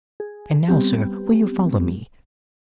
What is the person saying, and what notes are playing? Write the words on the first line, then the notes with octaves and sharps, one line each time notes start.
And now, sir, will you follow me?
G#4
G3 B3 C4 G4